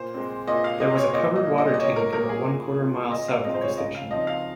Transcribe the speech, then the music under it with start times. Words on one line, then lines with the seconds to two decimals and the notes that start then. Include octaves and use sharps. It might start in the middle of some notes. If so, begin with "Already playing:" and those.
There was a covered water tank about one-quarter mile south of the station.
Already playing: A#2 C5
0.14 G#3 C4
0.47 A#2 D#5
0.64 F5
0.80 G#3 C4 D#5
0.97 C#5
1.13 A#2 D#5
1.36 D#5
1.47 G3 A#3
1.58 D#5
1.74 D#5
1.79 A#2 C#5
1.96 A#4
2.13 A#3 A#4
2.17 G3
2.29 G#4
2.45 A#2
2.78 G#3 C4 F4
3.11 A#2 D#5
3.28 F5
3.45 G#3 C4 F4 D#5
3.54 C5
3.61 C#5
3.77 C#3 D#5
3.95 F5
4.11 F3 C4 D#4 D#5
4.27 F5